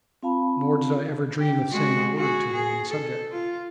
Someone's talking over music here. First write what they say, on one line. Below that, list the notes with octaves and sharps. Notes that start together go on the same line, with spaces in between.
Nor did I ever dream of saying a word to her on the subject.
C4 F4 F5 A5 B5
G4
G#3 F#4
F#4 G#4
G#4
A4
F4